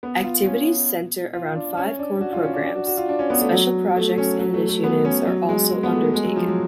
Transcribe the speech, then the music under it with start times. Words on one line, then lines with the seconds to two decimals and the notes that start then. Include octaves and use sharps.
Activities centre around five core programmes; special projects and initiatives are also undertaken.
0.03 B3
0.24 F4
0.46 C#4
1.33 F4
1.56 D4
1.77 C#4
1.99 D4
2.21 F#4
2.33 F4
2.43 C#4
2.53 D4
2.65 D4
2.76 F#4
2.87 F#4
2.97 F4
3.09 D4
3.19 C#4
3.30 B3
3.41 A3
3.52 F#3
3.96 A3
4.18 C#4
4.39 F#3
4.54 A3
4.69 A3
4.84 B3
5.05 C#4
5.27 F#3
5.49 G#3
5.70 G#3
5.83 B3
5.92 A3
6.14 G#3
6.25 F#3
6.36 F3
6.47 F#3